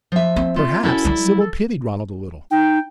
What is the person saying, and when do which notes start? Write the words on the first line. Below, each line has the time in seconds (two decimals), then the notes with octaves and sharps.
Perhaps Sybil pitied Ronald a little.
0.12 F3 E5
0.36 C4
0.56 A3 F4
0.83 C#4 E4 F#4 A4
1.05 F#3 G3 A4
1.40 A4
2.51 D#4 G5